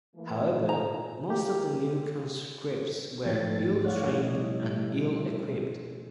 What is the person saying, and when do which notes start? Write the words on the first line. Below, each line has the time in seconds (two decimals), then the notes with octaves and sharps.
However, most the new conscripts were "ill-trained and ill-equipped".
0.15 E3 A3 A#3
0.69 A#2 A#5
1.30 A#3 G4
3.25 G#2 F3 A3 D#4 A6
3.85 C#5 D5 F5 F#5
4.07 B2 G3 E4
4.23 D#5